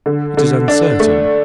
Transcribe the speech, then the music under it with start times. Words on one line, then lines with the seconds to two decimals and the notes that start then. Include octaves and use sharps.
It is uncertain.
0.06 D3
0.37 D3
0.68 D4
1.00 A3